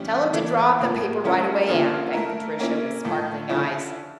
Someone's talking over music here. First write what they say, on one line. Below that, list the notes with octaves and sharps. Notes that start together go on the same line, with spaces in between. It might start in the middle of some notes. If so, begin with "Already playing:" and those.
"Tell him to draw up the paper right away, aunt!" begged Patricia, with sparkling eyes.
Already playing: A2 E3 G3 C#4
E3 A#3 E4 A4
A2 F3 A#3
F3 A3 C#4 E4 A#4
D3 F3 A#3 C#4 F4
A3 E4 A#4
A#3 C#4 E4
A2 F3 A3
D3 F3 C#4 E4